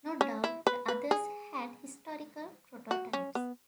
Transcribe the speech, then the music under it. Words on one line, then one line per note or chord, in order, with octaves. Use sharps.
No doubt the others had historical prototypes.
C#4
E4
B4
B4
G#4
F#4
C#4
B3